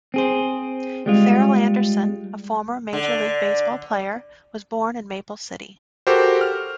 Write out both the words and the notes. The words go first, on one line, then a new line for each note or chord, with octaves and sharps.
Ferrell Anderson, a former Major League Baseball player, was born in Maple City.
C4 G#4 C5
G3 G#3 F4
D3
F#4 G4 A4 A#4 C5
F6